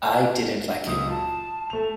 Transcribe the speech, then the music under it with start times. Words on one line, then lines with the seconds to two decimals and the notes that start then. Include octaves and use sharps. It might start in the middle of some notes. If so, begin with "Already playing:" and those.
I didn't like him.
0.86 C#2 A#2 F#3 D#6
1.09 F4 A5
1.70 A3 F7